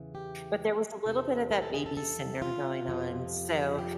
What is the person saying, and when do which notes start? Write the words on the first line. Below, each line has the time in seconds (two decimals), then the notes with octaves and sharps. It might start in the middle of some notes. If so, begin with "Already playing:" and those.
but there was a little bit of that baby syndrome going on. So,
Already playing: E2 C#3 E3
0.15 G4
1.05 E2 C3 E3 A4
1.51 A#4
1.62 A4
1.74 G#4
1.86 A4
1.97 A4
2.42 F4
2.88 F2 C3 F3
3.78 G4